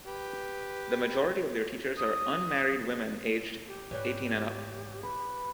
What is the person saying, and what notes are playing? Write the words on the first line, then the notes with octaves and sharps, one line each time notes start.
The majority of their teachers are unmarried women aged eighteen and up.
G4 B4
D#6
G4
G#2 E3 F#3 G3
B4